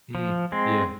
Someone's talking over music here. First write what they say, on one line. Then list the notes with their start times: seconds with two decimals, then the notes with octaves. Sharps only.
Mm, yeah.
0.15 F3
0.52 G#3 C4